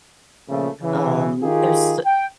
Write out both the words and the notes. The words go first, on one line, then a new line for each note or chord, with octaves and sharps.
um, there's s
A#2 C#3 F3 A3
C#3 E3
D#3 F4 G4 G#4
G5